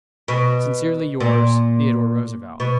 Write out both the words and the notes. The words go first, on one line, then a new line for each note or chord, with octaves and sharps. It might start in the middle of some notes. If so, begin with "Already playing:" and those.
Sincerely yours, THEODORE ROOSEVELT.
B2
A#2
B2